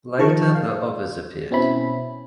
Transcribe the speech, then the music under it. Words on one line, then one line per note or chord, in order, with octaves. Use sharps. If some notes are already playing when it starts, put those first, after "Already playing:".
Later the others appeared.
D#3 F3 A#4 A5 A#5 C#6
F5
B2 C4 C#4 E4 B5